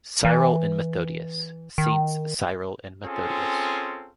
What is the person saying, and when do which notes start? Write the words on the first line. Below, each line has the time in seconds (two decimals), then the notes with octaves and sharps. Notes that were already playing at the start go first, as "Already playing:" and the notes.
Cyril and Methodius; Saints Cyril and Methodius.
0.25 E3
1.78 D#3
3.04 C4 C#4 F4 G#4 A4